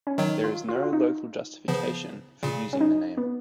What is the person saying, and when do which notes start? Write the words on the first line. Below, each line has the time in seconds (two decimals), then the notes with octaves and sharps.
There is also no local justification for using the name.
0.07 C#4
0.18 D#3 F#3 D#4
0.44 F4
0.68 F4
0.75 F#4
0.83 F4
0.93 D#4
1.68 C#3 F3 B3
2.43 A#2 C#3
2.73 C#4
2.81 D#4
3.17 B3